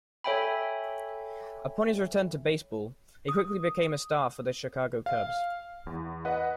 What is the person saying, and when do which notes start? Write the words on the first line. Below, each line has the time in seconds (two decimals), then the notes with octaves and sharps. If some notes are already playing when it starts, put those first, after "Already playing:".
Upon his return to baseball he quickly became a star for the Chicago Cubs.
0.24 A4 C#5 E5 G5 G#5 B5
3.29 D#6
5.06 F5
5.87 E2
6.25 B4 D#5 F#5